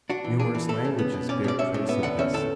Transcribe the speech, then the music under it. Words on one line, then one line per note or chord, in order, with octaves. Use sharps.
Numerous languages bear trace of this.
D4 F#4
E3
D4 G#4
E3
A3 A4
C#3
B3
B2
C#4 D5
B2 D5
C#4 E5
A2
B3 E5
D3 F#5
C#4 E5
A2 A4